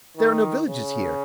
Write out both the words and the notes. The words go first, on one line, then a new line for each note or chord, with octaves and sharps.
There are no villages here?
D#3
C#3